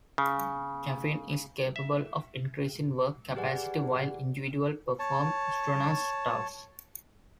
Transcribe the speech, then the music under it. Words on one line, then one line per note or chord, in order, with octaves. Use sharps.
Caffeine is capable of increasing work capacity while individuals perform strenuous tasks.
C#3
E5
G4 G#4 B4 D5 F#5 G#5
C#5 A5